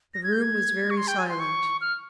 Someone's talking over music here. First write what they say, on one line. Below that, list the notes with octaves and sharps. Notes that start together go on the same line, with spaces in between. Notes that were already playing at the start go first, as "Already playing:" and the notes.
The room was very silent.
A#6
G#6
G6
G#6
C#6
C6
G5
G#5
C6
C#6
F6